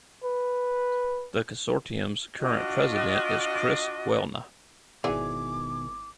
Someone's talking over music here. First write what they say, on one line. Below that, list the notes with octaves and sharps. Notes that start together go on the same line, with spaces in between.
The consortium's current president is Chris Welna.
B4
D4 F4 F#4 D#5
G#1 B2 D#3 E3 G#4 D5 G#5 D6